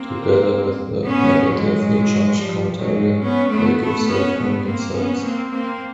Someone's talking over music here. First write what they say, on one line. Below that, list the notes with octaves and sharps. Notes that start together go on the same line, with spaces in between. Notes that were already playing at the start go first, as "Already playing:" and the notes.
Together with a negatively charged counterion, they give sulfonium salts.
Already playing: A#3 C4
B3 C#4
F#3 G#3
F3 G3
F#3 G#3
B3 C#4
A3 B3
A3 B3
B3 C#4
A3 B3
A#3 C4
B3 C#4
A#3 C4
A#3 C4